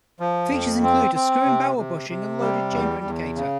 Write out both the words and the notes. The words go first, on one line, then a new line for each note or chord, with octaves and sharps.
Features include a screw-in barrel bushing and loaded chamber indicator.
F3
F2
C4
C4
C3
C3
C3
G3
E2
E2
C#3